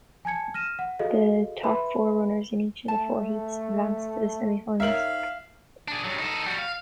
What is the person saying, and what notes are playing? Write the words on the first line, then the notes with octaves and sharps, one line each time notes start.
The top four runners in each of the four heats advanced to the semifinals.
G#5 A5 G#6 C#7
F6 A#6 D#7 E7
F#5
F#4 G#4 A4 D#5 F5
B4 E5 B5 C6
A3 A5
D#4 A#4 C#5 E5 F5 F#7
D4 G#4
G2 F#3
D#4 A4
G3 F#4
F5